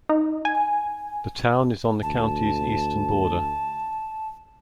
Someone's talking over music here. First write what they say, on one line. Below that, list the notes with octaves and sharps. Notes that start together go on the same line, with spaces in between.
The town is on the county's eastern border.
D#4
G#5
D2 A5